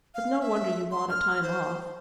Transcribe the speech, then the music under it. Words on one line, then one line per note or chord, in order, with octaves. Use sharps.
But no wonder you want a time off.
F5
E5
C6
F6
C5